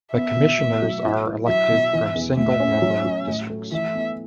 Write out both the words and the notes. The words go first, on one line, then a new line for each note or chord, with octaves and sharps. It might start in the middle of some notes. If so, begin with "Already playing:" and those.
The Commissioners are elected from single-member districts.
B3 E5
B2
A1
F#3
E4
E4
F#3 E5
B2
E3
E2
A2 E5
C#4
F#3
F#3
A2
A3
E3 E5
B3